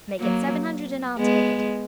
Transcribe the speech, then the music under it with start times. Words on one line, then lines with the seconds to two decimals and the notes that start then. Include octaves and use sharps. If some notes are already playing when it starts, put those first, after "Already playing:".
"Make it seven hundred and I'll take it."
0.19 F#3 A#3
1.18 G#3 B3